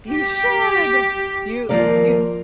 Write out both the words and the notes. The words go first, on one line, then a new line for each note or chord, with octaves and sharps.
you should! you you
G4
D#2 F3 A#3 A#4 D5